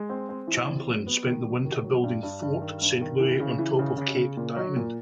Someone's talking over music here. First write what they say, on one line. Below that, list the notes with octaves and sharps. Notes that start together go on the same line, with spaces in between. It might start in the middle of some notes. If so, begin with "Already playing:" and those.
Champlain spent the winter building Fort Saint-Louis on top of Cape Diamond.
Already playing: G#3
C4
C4
E3
C4
F#3
B3
D#3
F#3
D#3
F#3
G2
G2
G2
D#3
G2
D#3
E3
C#3
E3
C#3
C#3
C#3
A#2
F#3
A#2